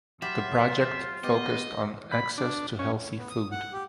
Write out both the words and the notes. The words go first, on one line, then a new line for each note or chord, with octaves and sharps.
The project focused on access to healthy food.
F#3 F4 G4 E5 B5
B3 G4 D#5
B5
D4
C#4
B3
D#6
F#5
G4